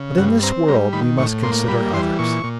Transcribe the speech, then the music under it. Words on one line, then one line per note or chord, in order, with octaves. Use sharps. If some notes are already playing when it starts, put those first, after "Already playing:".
But, in this world, we must consider others.
Already playing: C#3
G2 F#5
C4 A#5
G3 A#5
D#3 B5
A2 C#6
A#3 C6
G3 B5
E3 C6
A#2 C#6
A#2